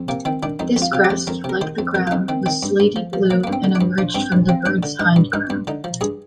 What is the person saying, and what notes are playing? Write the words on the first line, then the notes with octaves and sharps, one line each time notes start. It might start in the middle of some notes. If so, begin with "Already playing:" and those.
This crest, like the crown, was slaty-blue and emerged from the bird's hindcrown.
Already playing: F2
C3 A#3
D#3 C4
D#3 D4
F2 D#4
F2
F4
C3 F4
G4
F2
F2 A#4
C3
A#4
D#3 C5
F2
F2 A#4
F4
F2 D#4
D#3 C4
D#3 C4
G2
G2
F3
F3
F3 A#3
G2 A#3
C4
D3
D4
G2
F3 D4
G2 C4
G2
F3 C4
G2 D4
D3
G2 D#4
G2
G2 D#4
G2
D3 D#4
F3
G2 G#4